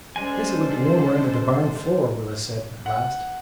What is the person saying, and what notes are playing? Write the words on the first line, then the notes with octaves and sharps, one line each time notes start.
"I guess it would be warmer under the barn floor," Willis said, at last.
G3 G#3 C#4 G4 A4 C5 G#5
F#5